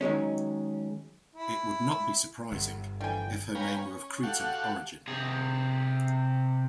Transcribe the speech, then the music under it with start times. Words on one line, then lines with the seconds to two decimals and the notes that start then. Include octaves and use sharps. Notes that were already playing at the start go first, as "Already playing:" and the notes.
It would not be surprising if her name were of Cretan origin.
0.01 D#3 F#3 G#3 C#4
1.35 E4
2.52 G1
3.01 D3 E3 F3 G3 G5 G#5
3.55 B4 C#5 F5 G5 G#5 A#5
3.78 C#4
4.23 F#4 G4 A4 F5 F#5
5.08 C3 G#4